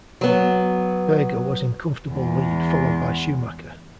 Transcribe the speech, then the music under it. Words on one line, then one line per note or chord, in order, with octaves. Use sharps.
Berger was in comfortable lead followed by Schumacher.
F#3 B3
E2 G#3